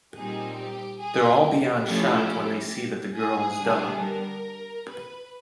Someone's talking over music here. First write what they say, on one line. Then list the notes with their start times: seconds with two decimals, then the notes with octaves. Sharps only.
They're all beyond shocked when they see that the girl is Dawn.
0.14 A#2 G3 C4 D#4 G#4
0.57 G4
1.01 G#4
1.44 G4
1.86 F3 A3 C#4 E4
3.15 G#4
3.58 D3 G3 B3 D4
4.02 A#4
4.88 B4